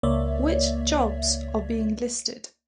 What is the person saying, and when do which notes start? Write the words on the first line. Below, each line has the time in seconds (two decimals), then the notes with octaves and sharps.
Which jobs are being listed?
0.03 C#2 A#3 C#5 D5 E5